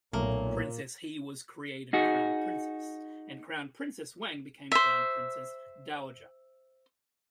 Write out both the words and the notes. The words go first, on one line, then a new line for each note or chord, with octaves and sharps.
Princess He was created crown princess, and Crown Princess Wang became crown princess dowager.
B1 A#2 A3 A#3 C#5
D#4 F#4 G#4
C5 E5